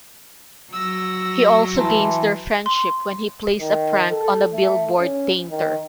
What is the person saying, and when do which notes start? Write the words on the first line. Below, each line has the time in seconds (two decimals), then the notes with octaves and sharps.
He also gains their friendship when he plays a prank on a billboard painter.
0.73 F#3 E6 A#6
1.76 E3 A5 A#5 C6
2.66 C6
3.60 D#3
4.11 A4
4.52 A3
5.00 C#4
5.50 D#3